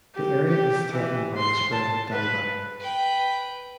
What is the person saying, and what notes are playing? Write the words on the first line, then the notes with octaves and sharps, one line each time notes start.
The area is threatened by the spread of dieback.
G4
G4
E3
C6
A5
B4
B4 G5